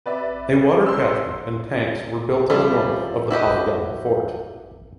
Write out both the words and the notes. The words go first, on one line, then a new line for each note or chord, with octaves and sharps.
A water catchment and tanks were built to the north of the polygonal fort.
B4 D5 E5
C6 E6
F3 G3 E4
E4 F#4 G4 D#5